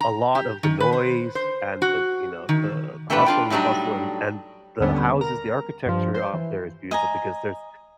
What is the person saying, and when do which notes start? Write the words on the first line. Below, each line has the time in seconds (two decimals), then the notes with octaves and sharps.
a lot of the noise, and the, you know, the hustle and the bustle, and and the houses, the architecture up there is beautiful, because there's
0.01 A#5
0.35 G4
0.63 D#3
0.80 B4
0.93 C5
1.35 C5
1.82 F#4
2.49 D#3
3.10 E3 A3 D4 G4 A4 B4
3.26 D4 F4 G5
3.50 A2 F#3 G3 D4 D#4
4.80 D#2 D3 G3 B3 C#4 D4
5.21 A#4 A#5
5.86 G2 F3
6.15 C5
6.34 E3
6.91 D#5 G#5 A#5